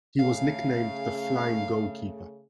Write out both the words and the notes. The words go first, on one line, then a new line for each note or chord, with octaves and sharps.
He was nicknamed the "Flying goalkeeper".
C#3 A3 F5